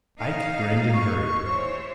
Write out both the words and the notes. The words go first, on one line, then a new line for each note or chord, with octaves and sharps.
Ike grinned and hurried.
D#4 F5
C#6
E3 C5 C#5